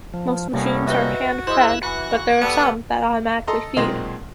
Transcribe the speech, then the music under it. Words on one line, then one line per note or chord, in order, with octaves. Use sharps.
Most machines are hand-fed, but there are some that automatically feed.
F3
A2 C3 G3 A#3 B3 C#4
D#4 F#4 B4 E5
G#3 E4 C5 E5 E6 F#6
E3 F#4 B5 C#6 F#6
G3 B3 A4
A4 D#5 A#5 C6
B1 A#2 G#3 C4 D#5 C6